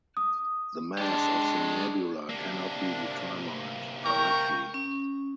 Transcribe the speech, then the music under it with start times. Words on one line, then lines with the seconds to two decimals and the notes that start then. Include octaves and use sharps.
The mass of the nebula cannot be determined directly.
0.17 D#6
0.98 G#3 D4 G4 C6
2.29 C3 A#3 D4
4.06 A#4 G5 C#6
4.74 C#4